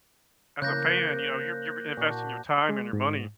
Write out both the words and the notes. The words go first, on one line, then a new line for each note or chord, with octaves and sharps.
as a fan, you know, you're you're investing your time and your money.
C#3 F3 A#3 F#6 G6 A#6
A#2 D4 F#4
G#3
G#2